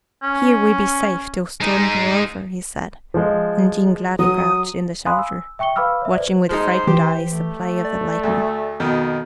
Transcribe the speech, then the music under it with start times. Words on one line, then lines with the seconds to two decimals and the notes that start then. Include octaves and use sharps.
"Here we be safe till storm go over," he said, and Jean gladly crouched in the shelter, watching with frightened eyes the play of the lightning.
0.23 C#4
1.61 G#3 D#4
3.14 F3 G#3
4.19 F#3 D#6
5.06 F5 G#5 B5 C6 D#6 F#6
5.19 E6
5.59 E5 G5 C#6 C#7 G7
5.76 B4 F5 B5 D6 E6 F6
6.02 C#5 E5
6.16 B4 C5 D5
6.49 F3 G#3 D#4 C5
6.87 E3 G4
7.33 A3
7.85 D5
8.23 D2
8.80 F2 B2 D#3